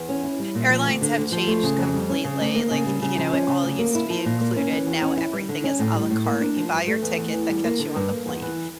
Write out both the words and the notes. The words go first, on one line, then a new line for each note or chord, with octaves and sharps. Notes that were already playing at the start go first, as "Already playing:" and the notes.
Airlines have changed completely, like, y you know, it all used to be included, now everything is a la carte; you buy your ticket that gets you on the plane,
Already playing: E2
C#4
E4
G3
A#2
F3
D2
D3
D2
F3
A3
C#3
F2
G3
C#4
C#3
D2
A#3
C#3
G3
C#3
F3
C#4
C#3
D2
A#3
E4
F3
A#2
A#3
C#4
E3
E2
C#4
E4
G3
D3
C#4
A2
G3
A2
A#3
D4
F3
G2
A3
E2
E3
E2
G3
A#3
D3
G2
A#3
E2
E3